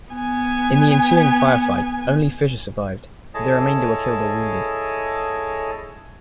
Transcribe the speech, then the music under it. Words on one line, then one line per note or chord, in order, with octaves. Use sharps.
In the ensuing firefight, only Fisher survived; the remainder were killed or wounded.
B3 G#5
E4 G#4 A4 C#5 D#5 A5